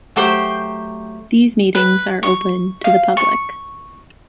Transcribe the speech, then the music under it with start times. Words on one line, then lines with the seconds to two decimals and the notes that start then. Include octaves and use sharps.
These meetings are open to the public.
0.16 F#3 A3 G4 C5 G5
1.75 B4
2.23 C#6
2.84 F5
3.17 C#6